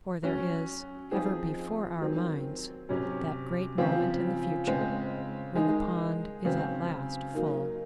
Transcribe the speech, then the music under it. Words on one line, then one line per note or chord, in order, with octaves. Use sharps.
For there is ever before our minds that great moment in the future when the pond is at last full.
F#3 C#4 F#4
F3 C4 D#4 G#4
D#3 F#3 C4
C3 F#3 C#4
C#3 F3 C4
C#3 G#3 C4
D#3 G#3 D#4 G#4
C#3 F#3 C4
F#3 A#3 D#4